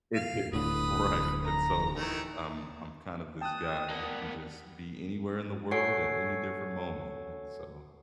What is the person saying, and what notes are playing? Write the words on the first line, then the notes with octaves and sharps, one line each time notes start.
It did. Right. And so, like, I'm I'm kind of this guy who can just be anywhere in the world at any different moment and so,
F5
D1 A2 D3 B4 D#6
A#5
D#3 E3 A3
G5 A5 D#6 F#6
A#3 B3 D5
F#4 A4 C#5 F#5 G#5 C7